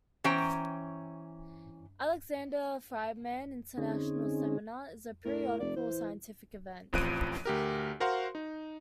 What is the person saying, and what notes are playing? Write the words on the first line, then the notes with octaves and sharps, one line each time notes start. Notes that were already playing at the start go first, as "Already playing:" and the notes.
Alexander Friedmann International Seminar is a periodical scientific event.
E3 C#4 C5 G5 A#5
D3 C4 C#4 D#4 G#4
A2 A#4
F1 D5
E3 C5
A1 F2 F3 F#6 D7 D#7
D2 G4 A#4
F#4 A#4 C5 F5 F#5 C6
D#4